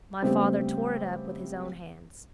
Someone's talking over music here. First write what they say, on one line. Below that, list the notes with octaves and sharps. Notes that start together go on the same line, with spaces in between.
My father tore it up with his own hands.
C#3 G3 A3 B3 C4